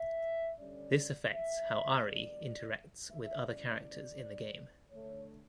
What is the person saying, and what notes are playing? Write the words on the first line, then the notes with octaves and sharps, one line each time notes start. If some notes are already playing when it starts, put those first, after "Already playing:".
This affects how Ari interacts with other characters in the game.
Already playing: E5
D3 G3 C#4 D5
E5
E2 D3 F#3 B3 D5
E5
A2 E3 G3 C#4 D5
D3 A3 D4 C#5